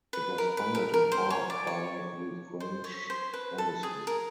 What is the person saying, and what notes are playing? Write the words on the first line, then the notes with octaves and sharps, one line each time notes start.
It was funded in part by the French embassy.
B4
A#4
B4
A#4
A#4
C5
C#5
D5
C#5
C5
C#5
C5
B4
A4
G#4
A#4